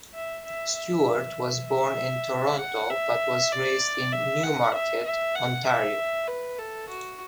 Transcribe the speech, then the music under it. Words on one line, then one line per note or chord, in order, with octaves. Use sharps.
Stewart was born in Toronto, but was raised in Newmarket, Ontario.
E5
E5
E5
E5
F#5
E5
D5
E5
F#5
E5
E5
F#5
E5
B4
A4
F#4